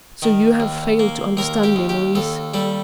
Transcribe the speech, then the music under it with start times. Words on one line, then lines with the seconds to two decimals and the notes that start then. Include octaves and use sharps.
So you have failed to understand me, Maurice.
0.22 D#3
0.60 D#2
0.99 A#3
1.37 D#2 A#4
1.64 G4
1.76 D#2
1.89 G4
2.15 D#2 A4
2.54 G3 A4